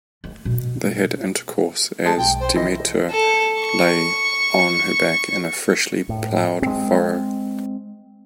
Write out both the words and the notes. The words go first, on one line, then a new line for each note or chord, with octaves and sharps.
They had intercourse as Demeter lay on her back in a freshly plowed furrow.
A3
B2
G#3 A5
B1 G5
C5
E3 D#5
A4
C#6
A2
G#3 C4